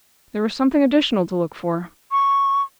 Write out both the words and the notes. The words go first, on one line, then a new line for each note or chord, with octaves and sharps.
There was something additional to look for.
C#6